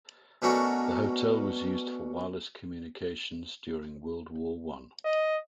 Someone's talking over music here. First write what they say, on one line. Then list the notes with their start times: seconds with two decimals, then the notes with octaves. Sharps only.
The hotel was used for wireless communications during World War One.
0.42 B2 A3 C#4 D4 F#4 A#4
5.05 D#5